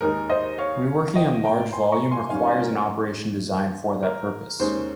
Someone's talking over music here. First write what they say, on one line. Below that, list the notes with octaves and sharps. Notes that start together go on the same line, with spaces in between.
Reworking in large volume requires an operation designed for that purpose.
D#2 D#3 G#3 D#4 A#4
C5 D#5
C#5 F5
D#5 G5
G5 A#5
G#5 C6
A#5 C#6
G#5 C6
G#2 D#3 G3 C#4 F5 G#5
A#4
A#4
D#2 D#3 G#3 C#4 C5